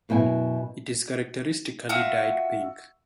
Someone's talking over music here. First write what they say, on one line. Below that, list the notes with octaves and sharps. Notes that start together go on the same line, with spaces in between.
It is characteristically dyed pink.
F#2 B2 E4 G5 G#5
F4 F#4 E5